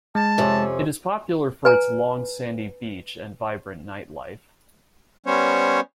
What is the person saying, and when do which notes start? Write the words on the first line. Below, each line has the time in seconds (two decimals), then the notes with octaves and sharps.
It is popular for its long sandy beach and vibrant nightlife.
0.15 G#3 A5
0.38 F2 C3 C#4
1.65 B4 G#5 A#5
5.26 G3 B3 C#4 C5 C#5